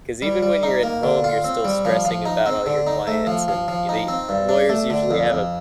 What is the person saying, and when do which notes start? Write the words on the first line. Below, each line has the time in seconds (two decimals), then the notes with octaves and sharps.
'cause even when you're at home, you're still stressing about all your clients, and they lawyers usually have a
0.22 G3
0.43 G3
0.63 D#4
0.83 A#3
1.03 D3
1.24 F4
1.44 C4
1.65 G3
1.85 F3
2.05 F3
2.25 D#4
2.46 C4
2.66 D3
2.87 D#4
3.07 A3
3.27 F3
3.48 F3
3.68 F3
3.89 D#4
4.08 C4
4.29 G2
4.49 D4
4.69 A3
4.90 D3
5.11 F2
5.30 F2